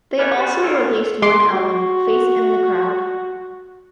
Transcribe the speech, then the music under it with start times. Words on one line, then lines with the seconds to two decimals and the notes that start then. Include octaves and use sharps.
They also released one album, "Face in the Crowd".
0.19 A3 B3 C#4 B4 C#5 D5
0.37 G3 F#4
0.62 D#3 E3 F#3 A#3 F4 A4
1.22 G#3 C6 D6
1.50 F#4